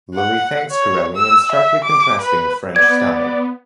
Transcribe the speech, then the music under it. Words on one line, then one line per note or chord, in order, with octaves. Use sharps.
Lully thanks Corelli in starkly contrasting French style.
F#5
C#5
E6
E5
D6
B4
B3 D5 G#6